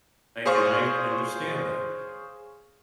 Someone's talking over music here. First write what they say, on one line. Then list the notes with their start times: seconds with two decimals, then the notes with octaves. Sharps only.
I and I understand that.
0.46 G#4 C5 C#5 F5 C#6